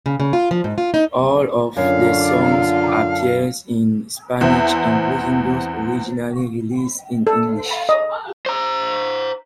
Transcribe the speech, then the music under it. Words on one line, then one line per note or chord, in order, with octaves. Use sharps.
All of the songs appear in Spanish, including those originally released in English.
C#3
C#3
F4
F3
G#2
F4
D#4
F#2 D3 D4 F4 F5
E2 C4 E5
A4
D#5
C5 A#5